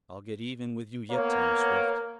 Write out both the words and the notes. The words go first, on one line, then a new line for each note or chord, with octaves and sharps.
"I'll get even with you yet, Tom Swift!"
A#3 B3 C#5